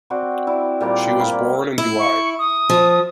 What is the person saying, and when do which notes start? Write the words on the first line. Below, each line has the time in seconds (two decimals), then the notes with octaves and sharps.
She was born in Douai.
0.10 C4 F#4 C5 D5
0.47 E4 D5
0.81 A#2 G3 C5 D5
1.20 A#3 C4 B5
1.78 E4
1.99 C#6
2.39 D#6
2.69 F3